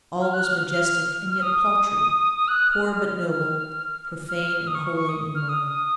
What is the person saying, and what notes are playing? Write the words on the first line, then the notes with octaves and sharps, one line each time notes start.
All was majestic and yet paltry; poor but noble; profane and holy in one.
F6
F#6
F6
F6
F6
D#6
F#6
F6
F6
F6
D#6
C#6
C#6
C#6
D#6
F6
D#6